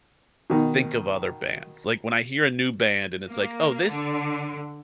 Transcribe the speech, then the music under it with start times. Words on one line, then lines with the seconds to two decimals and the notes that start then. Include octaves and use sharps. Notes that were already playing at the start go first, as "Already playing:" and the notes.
think of other bands, like, when I hear a new band, and it's like, "Oh, this
0.50 B2 D#3
3.28 A#3
3.89 D3